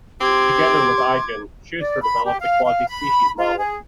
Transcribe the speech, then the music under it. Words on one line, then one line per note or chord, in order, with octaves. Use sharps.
Together with Eigen, Schuster developed the quasispecies model.
C4 G4 C6 D6 G#6
D5
B5
G4
F5
F5
B5
F4
G#4